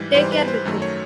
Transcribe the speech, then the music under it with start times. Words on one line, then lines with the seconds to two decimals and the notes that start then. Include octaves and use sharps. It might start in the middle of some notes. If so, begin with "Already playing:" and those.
Take care with it.
Already playing: G#2 E3 G3
0.14 G#2 E3 G3 C5
0.32 B4
0.48 C5
0.65 F#2 D#3 F#3 A3
0.82 C#5